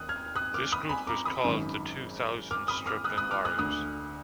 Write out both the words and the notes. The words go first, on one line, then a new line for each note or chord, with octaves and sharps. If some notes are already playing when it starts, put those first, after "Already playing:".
This group was called the two thousand stripling warriors.
Already playing: D#2 D#6 F#6
F6 G#6
D#6 F#6
D6 F6
B5 D#6
G#5 B5
A#5 D6
B5 D#6
G#1 F#2 D#3
D6 F6
B5 D#6
D6 F6
D#6 F#6
D#6 F#6
D6 F6
D#6 F#6
D2 D3 D#6 F#6